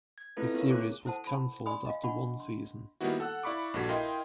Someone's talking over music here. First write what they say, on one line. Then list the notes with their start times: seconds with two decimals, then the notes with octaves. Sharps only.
The series was canceled after one season.
0.18 G#6
0.37 A3 C4 E4 F4 A4 B4
0.54 B3 F4 G#4 A#4 C#5
0.68 G#4 A#4 D6 F#6
1.05 E4 A4 C5 F#5 A5
1.27 B5
1.66 D5 G#5 B5 C6 D#6
1.86 D#5 F5
2.03 D4 F#5 B5 C#6
2.40 C6
3.01 D#3 G3 A#3 B3 E4 F#4
3.20 A4 F#5 E6 F#6
3.43 E4 D5 F5 B5 C#6 D6
3.74 A#1 G2 F#4 A4 G#6 B6
3.89 E4 A#4 D#5 F5 G5 C6